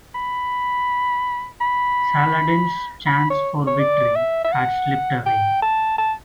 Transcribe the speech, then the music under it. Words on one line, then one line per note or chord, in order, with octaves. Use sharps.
Saladin's chance for victory had slipped away.
B5
B5
B5
C#5
C#5
D5
E5
E5
F#5
G5
A5
A5